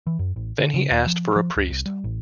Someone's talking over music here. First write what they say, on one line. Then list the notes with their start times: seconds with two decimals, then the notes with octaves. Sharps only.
Then he asked for a priest.
0.07 E3
0.19 F#2
0.36 A1
0.59 D3
0.74 C#3
0.91 D#2
1.06 F3
1.36 F3
1.56 C#2
1.70 C2
1.86 G3
2.04 A1